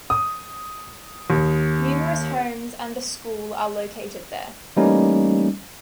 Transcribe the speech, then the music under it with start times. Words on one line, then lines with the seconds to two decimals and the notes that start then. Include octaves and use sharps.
Numerous homes and a school are located there.
0.10 D#6
1.30 D#2
4.77 E3 G3 A3 A#3 C#4 D#4